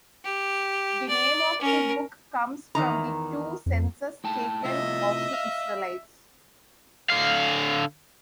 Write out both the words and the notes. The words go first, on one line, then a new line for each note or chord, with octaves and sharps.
The name of the book comes from the two censuses taken of the Israelites.
G4
D5
C#4 A#4
E2 D#3 A#5
F2
A2 G5 A5
A2 C3 F4 D#5 E5
F5
D3 F5